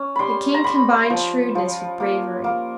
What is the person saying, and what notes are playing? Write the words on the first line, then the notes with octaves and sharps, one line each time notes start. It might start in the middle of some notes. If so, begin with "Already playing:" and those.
The King combined shrewdness with bravery.
Already playing: C#4
G3 B5 C6
A#5
G3 B5
F3
F3
A#3
A#3